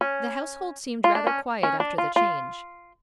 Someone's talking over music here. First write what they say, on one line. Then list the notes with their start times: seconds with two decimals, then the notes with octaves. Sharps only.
The household seemed rather quiet after the change.
0.01 C#4
1.04 F4
1.15 D4
1.27 C#4
1.63 C#4
1.80 D4
1.98 F4
2.16 F4